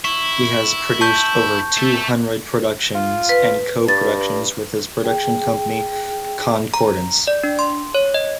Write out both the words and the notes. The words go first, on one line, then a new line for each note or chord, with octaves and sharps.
He has produced over two hundred productions and co-productions with his production company Concordance.
E4 C#6
A5 C#6 G6
A4 E5
F4
B4
G2 A6
G#4 G5
A#5
D5
D4
C6
C#5
D#5